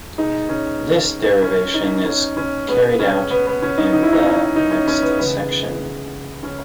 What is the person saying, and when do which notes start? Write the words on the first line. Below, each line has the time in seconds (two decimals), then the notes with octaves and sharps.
This derivation is carried out in the next section.
0.18 B2 G#3 D#4
0.49 C#4
1.43 C#4
1.74 D#4
2.05 C#4
2.37 C#4
2.68 B2 G#3 B3
2.99 C#4
3.30 B3
3.46 B3
3.62 C#4
3.78 D#4
3.93 D#4
4.02 E4
4.13 D#4
4.24 C#4
4.56 D#4
4.71 C#4
4.87 C#4
5.02 B3
5.18 C#3 E3 G#3 B3
6.43 C#4